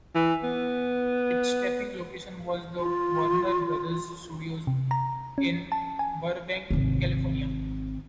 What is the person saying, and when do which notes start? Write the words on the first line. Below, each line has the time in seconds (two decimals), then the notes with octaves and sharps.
Its taping location was the Warner Brothers Studios in Burbank, California.
0.15 E3
0.44 B3
2.79 F4
4.67 C3
4.91 A#5
5.38 C#4
5.72 A5
5.99 G#5
6.71 G#1 C3